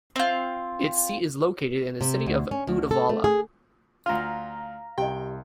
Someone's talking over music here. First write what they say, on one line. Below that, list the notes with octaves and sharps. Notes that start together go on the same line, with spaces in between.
Its seat is located in the city of Uddevalla.
C4 F4
C3
D2
C#4
D2
A4
A3
G#4
D2 F4 F5 A#5 C6 F6
C2 G4 D#5 G5